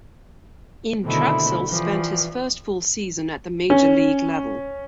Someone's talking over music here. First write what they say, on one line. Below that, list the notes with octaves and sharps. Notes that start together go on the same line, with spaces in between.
In Trachsel spent his first full season at the Major League level.
B2 D3 D#3 A3 C4 E4
E3 F3 G3
C#4